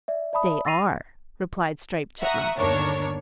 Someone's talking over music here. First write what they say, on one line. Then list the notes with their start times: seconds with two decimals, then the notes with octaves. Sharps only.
"They are," replied Striped Chipmunk.
0.08 D5 E5
0.33 D5 E5 A5 B5 D#6
0.65 E6 A6 A#6 C7 D#7 F7
2.20 E5 F#5 A#5 C#6 D#6
2.57 G1 D#2 D4 A#4 C#5 C#6